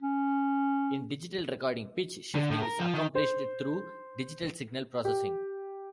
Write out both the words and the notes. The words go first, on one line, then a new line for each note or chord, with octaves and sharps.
In digital recording, pitch shifting is accomplished through digital signal processing.
C#4
D3
A2
A#4
F3
D#3
C5
G4